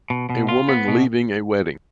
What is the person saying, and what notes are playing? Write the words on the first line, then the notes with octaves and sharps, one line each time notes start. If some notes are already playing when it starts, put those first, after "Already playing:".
A woman leaving a wedding.
B2
B2
F4
B3
B2